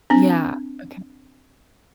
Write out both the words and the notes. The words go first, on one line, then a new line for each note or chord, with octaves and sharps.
Yeah. Okay.
C4 D4